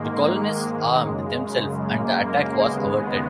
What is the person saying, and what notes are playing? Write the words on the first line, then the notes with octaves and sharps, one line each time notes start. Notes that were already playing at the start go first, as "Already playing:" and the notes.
The colonists armed themselves, and the attack was averted.
Already playing: G#2 D#3 G#3 A#3
F#2 C#3
A#3
D#2 C#3 G#3 B3